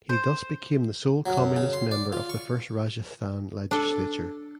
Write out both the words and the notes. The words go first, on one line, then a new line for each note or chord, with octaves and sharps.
He thus became the sole communist member of the first Rajasthan legislature.
C5
F#3
F#2
C#3
C6
D5
F4
C#6
D4 A4